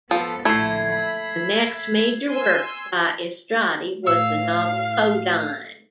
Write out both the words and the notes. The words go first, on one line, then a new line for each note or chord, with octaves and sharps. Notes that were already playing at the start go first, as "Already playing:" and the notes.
The next major work by Istrati was the novel "Codine".
F3 B3 A4 B4
A#1 A2 D3 A3 E4 G#6 C7
E5 B5
G#5 C6 E6
A2 C#5 F5 E6